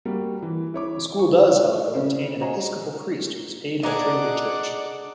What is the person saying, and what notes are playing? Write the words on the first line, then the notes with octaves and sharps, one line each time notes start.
The school does, however, retain an Episcopal priest who is paid by Trinity Church.
G3 A#3 F#4
E3
E4 C#5 D6
C#6
C#3 C#4 C5
F#4 C5 C#5 D#5 G#5 A#5
D4 G#4 D5 D#5 F#5 A#5 D6